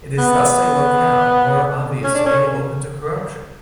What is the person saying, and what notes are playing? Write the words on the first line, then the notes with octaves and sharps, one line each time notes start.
It is thus a locale more obviously open to corruption.
B3
C#4
D4
C#4